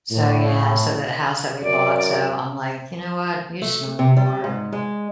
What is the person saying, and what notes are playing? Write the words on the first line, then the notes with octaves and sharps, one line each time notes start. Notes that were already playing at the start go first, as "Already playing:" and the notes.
So yeah, so the house that we bought so I'm like, "You know what? You snore,
A2
F#2 D5
A3
C3
G3
G#2
G#3